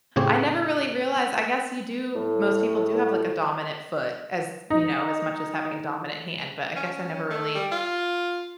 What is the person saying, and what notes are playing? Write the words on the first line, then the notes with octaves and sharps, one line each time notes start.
I never really realized I guess you do most people do have, like, a dominant foot as, you know, as much as having a dominant hand, but I guess I never really,
A2 C#3 C4 G4 C#5
A2
D#4
C#4
A3
G3
F4